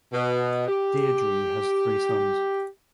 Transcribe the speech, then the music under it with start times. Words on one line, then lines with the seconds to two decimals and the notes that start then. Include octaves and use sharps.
Deirdre has three sons.
0.12 B2
0.67 G4